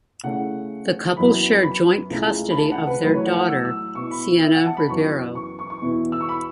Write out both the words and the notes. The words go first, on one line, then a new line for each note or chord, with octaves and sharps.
The couple share joint custody of their daughter, Sienna Ribeiro.
C#3 A3 C#4 E4 F#5
F#2 F#3 B3 E4 B5
B5
C#2 C#3 A3 E4
B5
A5
F#5
B4
A2 F#3 A3 B4
C#5
F#5
F#5
E6
E6
B2 B3 E4 C#6
B5
E5
F#5
A5
B5
F#2 E3 B3 C#6
C#6
C#6
C#6
E2 B2 B3 E4
E6
C#6
B5